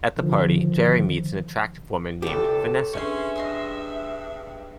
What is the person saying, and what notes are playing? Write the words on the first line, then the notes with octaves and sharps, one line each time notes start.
At the party, Jerry meets an attractive woman named Vanessa.
D3 D#3 F3
C#2 G4 A4
C#4 D4 G#4 B4 C#5 E5 C6
G2 D#5 C6 D#6